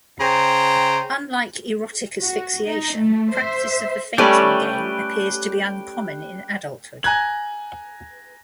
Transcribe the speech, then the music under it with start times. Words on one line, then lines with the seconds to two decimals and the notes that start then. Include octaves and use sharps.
Unlike erotic asphyxiation, practice of the fainting game appears to be uncommon in adulthood.
0.20 C#3 C5 G5 A#5
2.22 F#4
2.65 D#4
2.95 A3
3.36 C5 E5
4.18 G3 A3 C#4 G4 B4
7.03 G#5 A#5 F#6 G#6 F#7